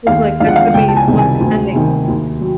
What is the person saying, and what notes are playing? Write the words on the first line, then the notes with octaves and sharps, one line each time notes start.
'Cause like that could be someone pretending.
D#2 F5
D3 F3 G#3 F5
F#5
F5
C#2 G5
A5
G#5
C3 D#3 G3
G#5
D2
C3 D#3
D#2
F#3